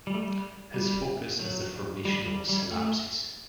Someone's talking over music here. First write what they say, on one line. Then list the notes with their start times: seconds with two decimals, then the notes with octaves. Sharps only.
His focus is the formation of synapses.
0.07 G3
0.14 A3
0.22 G3
0.74 G3
1.40 F#3
2.05 G3
2.27 G3
2.49 G3
2.71 A3